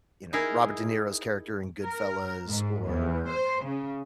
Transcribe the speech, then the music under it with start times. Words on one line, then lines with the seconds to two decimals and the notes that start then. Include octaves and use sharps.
you know, Robert De Niro's character in Goodfellas or,
0.33 D#4 E4 G#4 A#4
1.82 A#4
2.49 G#2
2.85 E2
3.29 C5
3.64 C#3